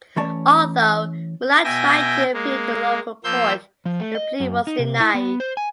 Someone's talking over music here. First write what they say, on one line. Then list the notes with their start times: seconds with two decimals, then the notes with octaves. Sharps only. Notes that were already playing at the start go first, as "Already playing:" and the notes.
Although Muhlach tried to appeal to the local court, the plea was denied.
0.16 E3 A3 C#4 C#5 D5 A5
1.64 B2 E5 G5 G#5 A#6
2.34 G#3 A#3
3.24 F3 A#3 C6 E6 G6
3.85 F3
4.00 A3
4.15 D#5
4.40 F#2
4.67 D#4
4.79 C3
5.00 E4
5.14 B3
5.40 C5
5.57 G#5